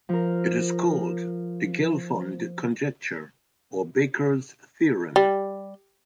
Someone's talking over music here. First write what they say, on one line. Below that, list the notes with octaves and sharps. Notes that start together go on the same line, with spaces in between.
It is called the Gelfond conjecture or Baker's theorem.
F3 A#4
G3